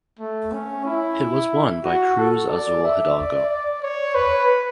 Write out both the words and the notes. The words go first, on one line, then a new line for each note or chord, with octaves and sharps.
It was won by Cruz Azul Hidalgo.
A3
C#4
E4
F#4
A4
D5
E5
D5
D5
C#5
B4